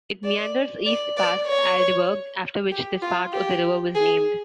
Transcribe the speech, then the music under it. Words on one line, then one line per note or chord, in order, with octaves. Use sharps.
It meanders east past Aldeburgh, after which this part of the river was named.
D5
D5
D5
C#5
G4
F4
G4
G#4